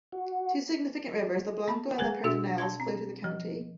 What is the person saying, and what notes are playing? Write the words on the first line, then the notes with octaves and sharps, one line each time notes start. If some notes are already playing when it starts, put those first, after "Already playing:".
Two significant rivers, the Blanco and the Pedernales, flow through the county.
F#4
B3 B5
G#3 G#4 B4 G#5
B2 D4 F#4 E5 E6
A5 C6 G#6
C4
F3